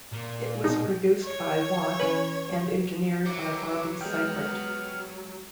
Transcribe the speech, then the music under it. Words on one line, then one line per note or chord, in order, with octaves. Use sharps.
It was produced by Watt and engineered by Bobby Seifert.
A#2
B2 D#4 G#4
C#5
E3 C#4 B4
E3 F#3 D6
G#3 B3 G5 F6